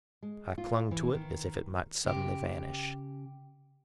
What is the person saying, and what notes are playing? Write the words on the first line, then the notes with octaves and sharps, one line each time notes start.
I clung to it as if it might suddenly vanish.
G#3
F4
E3
D#3
C#3 G4